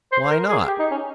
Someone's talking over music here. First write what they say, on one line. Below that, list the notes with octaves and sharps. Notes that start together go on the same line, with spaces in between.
"Why not?"
C5
A#4
G#4
G4
D#4
C#4